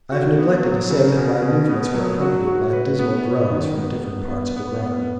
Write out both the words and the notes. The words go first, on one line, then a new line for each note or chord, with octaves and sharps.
I have neglected to say that my movements were accompanied by dismal groans from different parts of the grotto.
F#4
B3
F#3
C#3
B2
B2
B3
F#3
F#4
F#4
B4
B3
C#5
D#3
B3
B3
B3
B3
B3